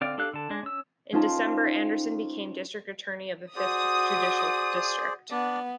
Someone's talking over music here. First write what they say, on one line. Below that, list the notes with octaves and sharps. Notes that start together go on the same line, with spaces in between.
In December Anderson became district attorney of the Fifth Judicial District.
D3 C4 D5 F5
D4 G4 A4 F5 F#6
D3 A5
G#3 D4
C#4 E6
C#4 D#4 F4 C5 G5 A5
F#4 G#4 C5 D5 D#6
B3 D4 D5